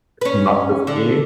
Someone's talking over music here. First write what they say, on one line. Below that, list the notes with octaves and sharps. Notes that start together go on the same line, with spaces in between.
not just me."
C#4 B4
D3